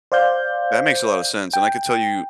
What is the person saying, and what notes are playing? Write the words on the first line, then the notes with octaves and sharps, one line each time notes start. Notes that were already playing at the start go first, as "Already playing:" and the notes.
That makes a lotta sense, and I could tell you-
C5 D5 F5 G6
G5